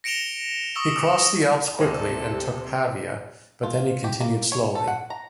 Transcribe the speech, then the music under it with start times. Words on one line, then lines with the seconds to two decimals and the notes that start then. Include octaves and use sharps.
He crossed the Alps quickly and took Pavia, but then he continued slowly.
0.04 A#6 C#7 D7 E7 F7 G7
0.75 C#6 D#6 E6 A#6
1.79 D2 C3 G#3 A#3 A4 C5
3.63 F4
4.04 G4
4.20 A#3
4.52 C#5
4.75 A4
4.88 F#5
5.10 A#5